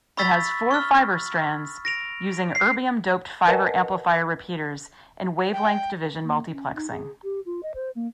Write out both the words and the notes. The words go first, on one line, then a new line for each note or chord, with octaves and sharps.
It has four fiber strands, using Erbium-doped fiber amplifier repeaters and wavelength division multiplexing.
B5 C#6 E6 A6 B6
C#6 F6
A#6 D7 F7
C7
A#4 B4 D#5 F#5 G#5 A5
G5
A#3
C#4
D#4
G#4
G4
F4
D#5
C5
A#3